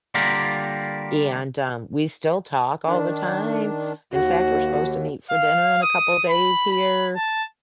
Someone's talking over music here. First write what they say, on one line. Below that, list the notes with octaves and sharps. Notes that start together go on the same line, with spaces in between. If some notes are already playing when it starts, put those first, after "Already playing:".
And, um, we still talk all the time. In fact, we're supposed to meet for dinner in a couple of days here,
D3 G3 A#3 F4 G4 A#4
D#3 D4
D#2 F#4
F5
D#6
B5
B5
A5